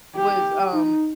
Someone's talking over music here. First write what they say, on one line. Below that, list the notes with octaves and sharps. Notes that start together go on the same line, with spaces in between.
was, um,
G4
D#4